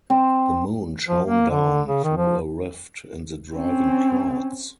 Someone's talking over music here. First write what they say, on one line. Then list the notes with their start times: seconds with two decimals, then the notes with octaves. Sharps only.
The moon shone down through a rift in the driving clouds.
0.10 C4
1.08 F3
1.27 A#3
1.50 D3
1.88 C#3
2.03 D#3
2.17 F3
3.55 C4 C#4